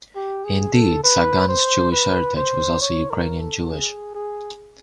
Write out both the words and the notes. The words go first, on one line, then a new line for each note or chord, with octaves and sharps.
Indeed, Sagan's Jewish heritage was also Ukrainian Jewish.
G4
G#4
A4
B4
C5
B4
C5
C#5
A#4
A4
G#4
G#4